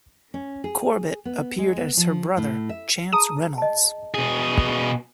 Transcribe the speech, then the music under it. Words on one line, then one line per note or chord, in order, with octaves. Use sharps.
Corbett appeared as her brother, Chance Reynolds.
C#4
G#4
B3
G#3
B3
F3
A2
E5
G#4 A5 A#5 D#6
D#5 A5
B2 G#4